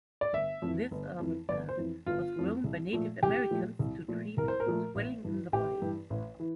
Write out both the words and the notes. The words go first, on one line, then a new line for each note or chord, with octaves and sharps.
This herbal plant was grown by Native Americans to treat swelling in the body.
D5
G1 E5
F2 E3
G1
F2 E3
G1 D5
C5
F2 E3
G1 F4
F2 E3
C2
A#2 F3 A3
C2 G4
A#2 F3 A3
C2
A#2 F3 A3
C2 A#4
C5
A#4
A#2 F3 A3
A1
G2 E3
A1 G4
G2 E3
A1
E3